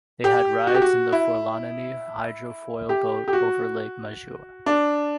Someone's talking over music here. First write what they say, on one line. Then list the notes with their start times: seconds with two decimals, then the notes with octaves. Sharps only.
They had rides in the Forlanini hydrofoil boat over Lake Maggiore.
0.24 G4
0.67 F#4
0.74 G4
0.82 F#4
1.12 E4
2.89 G4
3.28 G4
3.33 F#4
4.66 D4